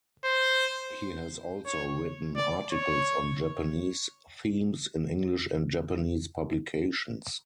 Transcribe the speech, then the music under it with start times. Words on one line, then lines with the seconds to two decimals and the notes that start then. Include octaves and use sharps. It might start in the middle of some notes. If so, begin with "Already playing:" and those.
He has also written articles on Japanese themes in English and Japanese publications.
0.25 C5
1.66 C#5
2.37 D5
2.73 C#5